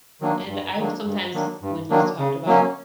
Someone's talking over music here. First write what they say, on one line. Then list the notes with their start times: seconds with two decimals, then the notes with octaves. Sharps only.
and I sometimes when you talked about,
0.21 D#3 F#3 A#3 D4
0.49 G2
0.77 D#3 F#3 A#3 D4
1.05 G2
1.34 D#3 F#3 A#3 D4
1.62 G2
1.90 D#3 F#3 A#3 D4
2.18 C#3
2.46 F#3 A#3 C#4